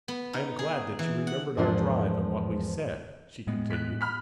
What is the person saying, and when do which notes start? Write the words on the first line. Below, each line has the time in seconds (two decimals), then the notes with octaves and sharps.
"I am glad that you remembered our drive and what we said," she continued.
0.08 B3
0.33 D#4
0.59 G#4
0.99 E3
1.27 F#5
1.57 E2 G#2 F3 A#3 D4
3.47 A2 G#3 B3
3.71 F#6 B6
4.01 B5 F6 B6